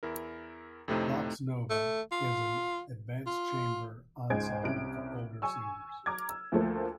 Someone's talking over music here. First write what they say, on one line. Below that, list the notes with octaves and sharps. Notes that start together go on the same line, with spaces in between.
"Vox Nova" is an advanced chamber ensemble for older singers.
E2 E4 A#4
F2 A2 C3 A3 C4 D#4
A3
F4
F4
C#2 G#2 C5 G#5 G#6 D7
C2 C3 C#4 D7
G#5 C#6 E6
A#5 D6 F6 G#6
E6
D2 F3 A3 A#3 C5